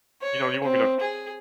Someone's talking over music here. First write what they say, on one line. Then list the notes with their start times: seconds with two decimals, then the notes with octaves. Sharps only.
you know, "you want me to
0.22 C#5
0.64 C4
1.00 G#4